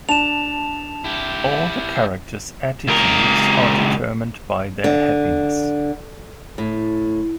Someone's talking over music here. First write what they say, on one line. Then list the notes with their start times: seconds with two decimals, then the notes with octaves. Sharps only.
All the characters' attitudes are determined by their happiness.
0.09 D4 A5 E7 F7
1.04 E4 G4
2.87 C#2 A#4
4.84 D3
6.58 A2